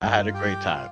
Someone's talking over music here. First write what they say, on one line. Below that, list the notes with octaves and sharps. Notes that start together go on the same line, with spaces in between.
I had a great time.
G2 D#4
F4
G4 G5
F4